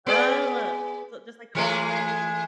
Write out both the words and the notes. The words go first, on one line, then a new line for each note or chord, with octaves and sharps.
Oh. So just, like, a paint night.
B3 G#4 D5
E3 G#3 A3